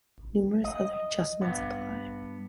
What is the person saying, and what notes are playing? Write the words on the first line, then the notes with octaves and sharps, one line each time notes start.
Numerous other adjustments apply.
D#5
G2 B3